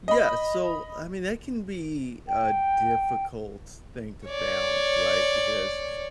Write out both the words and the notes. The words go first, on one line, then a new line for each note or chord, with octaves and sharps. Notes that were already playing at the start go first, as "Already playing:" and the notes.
Yeah, so, I mean, that can be a difficult thing to balance, right? Because
D#5 B5
G5
C#5 D5